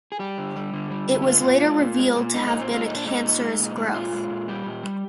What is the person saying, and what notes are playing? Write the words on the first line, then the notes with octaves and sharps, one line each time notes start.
It was later revealed to have been a cancerous growth.
G#4
G3 G4
D3
G3
D3
G3
D3
G4
G#3 F4
A#2
G#3
A#2
G#3
A#2
G#3 D#4
D#4
A#2
C4
G#3 F4
A#2 D#4
D4
G#3 D#4
A#2
G#3
A#2
G#3
A#2 F4
G#3
A#2
G3 G4
A#2
G3